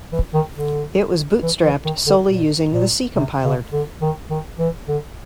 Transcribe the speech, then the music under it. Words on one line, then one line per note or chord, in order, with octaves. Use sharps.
It was bootstrapped solely using the C compiler.
E3
D#3
D3
E3
E3
D#3
D3
A#2
A#2
C3
C#3
D3
D#3
D#3
E3
D3